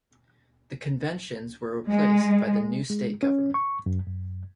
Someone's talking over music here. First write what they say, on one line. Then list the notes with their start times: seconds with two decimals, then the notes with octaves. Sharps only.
The Conventions were replaced by the new state government.
1.91 G#3
2.90 G#3
3.23 C#4
3.54 C#6
3.86 F#2
4.07 F#2